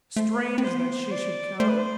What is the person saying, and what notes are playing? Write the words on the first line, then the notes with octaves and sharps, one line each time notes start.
Strange that she should come!
A3 C5
B4
C4
B3 C5
D5
A3 C5
B4
C5